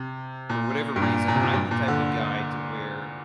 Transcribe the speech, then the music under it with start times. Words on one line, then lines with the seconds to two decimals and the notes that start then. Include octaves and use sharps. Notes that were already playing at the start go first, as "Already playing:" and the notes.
for whatever reason, I'm the type of guy to where
Already playing: C3
0.49 A#2
0.96 G2
1.02 A#2
1.28 A#2
1.35 C3
1.43 A#2
1.54 G2
1.71 A#2
1.88 D3